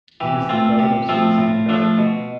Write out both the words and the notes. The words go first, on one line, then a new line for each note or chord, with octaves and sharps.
He is the brother of Citizen Kay.
E3 G4
A3 C4 F4
C3 G4
F3 A3 C4 F4
A2
F3 A3 D4
B2